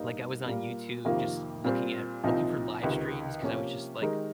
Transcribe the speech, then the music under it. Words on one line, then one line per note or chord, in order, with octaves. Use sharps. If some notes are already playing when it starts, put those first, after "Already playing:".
Like, I was on YouTube just looking at looking for livestreams 'cause I was just, like,
Already playing: G2 G3 A#3 D#4
A#2 G3 A#3
F2 C3 D#3 A#3 F4
A#2 G3 C4
C2 A#2 F3 C4 D#4
C#2 C3 D#3
C3 F3 A#3 C#4 G4
D#3 G#3 D#4 G4 A#4